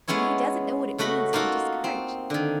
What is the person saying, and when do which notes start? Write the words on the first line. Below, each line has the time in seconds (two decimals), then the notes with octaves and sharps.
And he doesn't know what it means to be discouraged.
0.08 G#3 B3 C#4 E4 C#5
0.98 C#3 A3 F#4 D#5 B5
1.33 A#3 D#4 F4 F#4 A4
1.84 C4
2.30 D3 D#3